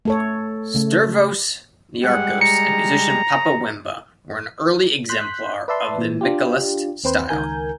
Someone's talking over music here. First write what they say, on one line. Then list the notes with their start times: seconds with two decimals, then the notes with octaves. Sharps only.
Stervos Niarcos, and musician Papa Wemba, were an early exemplar of the mikiliste style.
0.05 A3 A4 C#5
0.74 C#3 A3
2.04 G3 G#3 F#5
2.41 A#5 C#7
5.09 C6 F#6 G6 B6
5.68 B4 D5 E5 A5 C6
5.98 A#2 E3
6.21 D4 F4 G4
7.04 D#2 C4 B4 C5
7.29 C#2 D#3 A#4 G#5 G6